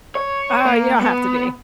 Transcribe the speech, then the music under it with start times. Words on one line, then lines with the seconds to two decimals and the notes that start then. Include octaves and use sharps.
Oh, you don't have to be.
0.15 C#5
0.65 A#3
1.01 B3